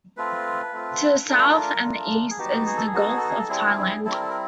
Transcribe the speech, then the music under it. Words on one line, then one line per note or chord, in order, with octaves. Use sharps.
To the south and the east is the Gulf of Thailand.
A3 C4 F4 B4
A3 C4 F4
A3 D4 F4 A#4
B4
A#4
A3 D4 F4
G#4
B3 D#4 F#4 G4
G#4
A4
G#4
B3 D#4 F#4 A4
G#4
A4
G#4
A4
G3 C4 E4 G#4
A4
G#4
G3 C4 E4 A4
A#4
A4
A#4